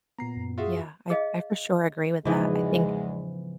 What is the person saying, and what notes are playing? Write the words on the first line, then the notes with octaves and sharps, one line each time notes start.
Yeah. I I for sure agree with that. I think
A#2 B3 A#5 C7
F#2
F4 F#4 G#4 E5
G#4 D#5 F5
E2 G#2 C#3 E3 F3 G#3 B3